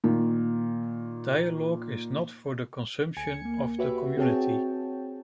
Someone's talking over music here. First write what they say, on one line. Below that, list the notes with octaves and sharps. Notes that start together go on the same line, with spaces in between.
Dialogue is not for the consumption of the community.
A#2 D#3
D2 G#5 G#6 C#7
A#3
F#4 G4 B4 C#5 E5
C4 F#4 G#4 C#5 G5 A5